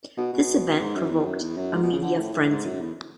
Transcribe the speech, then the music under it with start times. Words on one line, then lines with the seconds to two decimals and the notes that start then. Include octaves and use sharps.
This event provoked a media frenzy.
0.18 B2
0.33 B2
0.80 G#2
0.96 F#2
1.10 E2
1.25 F#2
1.41 E2
1.56 F#2
1.73 G#2
1.83 B2
1.93 C#3
2.03 D3
2.18 A2
2.34 A2
2.50 G#2
2.65 F#2
2.81 E2